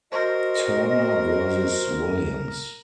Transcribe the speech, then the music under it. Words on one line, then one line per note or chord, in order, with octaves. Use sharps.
Turner versus Williams.
F#4 A#4 C5 D#5